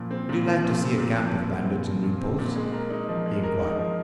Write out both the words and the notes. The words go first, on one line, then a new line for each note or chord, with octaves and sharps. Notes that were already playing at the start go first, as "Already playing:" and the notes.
"Would you like to see a camp of bandits in repose?" he inquired.
Already playing: A#2 F3
C4
A#2
F3
A#2
C4
A#2
F3
A#2
C4
A#2
F3
A#2
C4
A#2
G#3
A#4
D#4
F3
G#3
A#4
D#4
F3